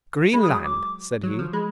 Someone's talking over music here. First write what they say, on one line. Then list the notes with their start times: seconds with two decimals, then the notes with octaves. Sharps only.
"Greenland!" said he.
0.33 G#3 B5
0.43 D#6
0.48 F#3
0.54 D#6
0.64 D6
1.23 F#3
1.39 F3
1.53 G#3 B5